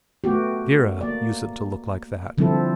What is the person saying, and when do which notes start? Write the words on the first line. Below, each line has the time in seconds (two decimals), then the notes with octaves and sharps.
Vera usedn't to look like that.
0.24 A3 B3 F#4 G4
1.01 A#3 D5
2.38 D3 F3 G3 C4 E4 A4